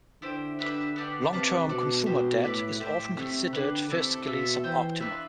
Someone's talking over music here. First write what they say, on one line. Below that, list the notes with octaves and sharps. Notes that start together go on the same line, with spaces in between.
Long-term consumer debt is often considered fiscally suboptimal.
D3 E4 G4 C5
D4 G4 B4 E5
B3 D4 G4 D5
C3 F4 B4 D5 A5
B2 D4 A4 D5
B2 D4 G4 C5
A2 E4 B4 D5
A2 G4 C5 E5
C3 A3 C4 G4
D3 D4 G4 B4
C3 A3 E4 A4 D5
B2 F4 A4 E5
E3 F4 C5 G5
D4 F4 B4 E5